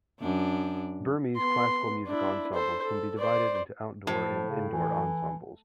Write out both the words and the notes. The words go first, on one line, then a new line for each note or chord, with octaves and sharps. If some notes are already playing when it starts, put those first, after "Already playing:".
Burmese classical music ensembles can be divided into outdoor and indoor ensembles.
F#2 D4
B3 C6
D4 E4
A4 C5
A4
C5 D5
A2 F3
C#3
E3